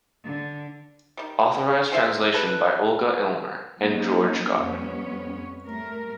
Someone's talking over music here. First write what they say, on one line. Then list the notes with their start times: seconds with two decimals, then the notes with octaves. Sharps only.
Authorized translation by Olga Illmer and George Godwin.
0.24 D3
1.17 D#3 G3
1.92 G#3 C4 F4 E5
2.34 A4 B4
3.78 F3 F#3 A#3 B3 C#4 D#4
4.60 F2 G3 B3 C#4 C#5
5.66 G3 A3 A#4